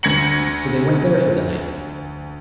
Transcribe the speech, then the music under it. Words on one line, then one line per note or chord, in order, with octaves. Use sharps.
So they went there for the night.
D2 G#6 A#6 C#7 F#7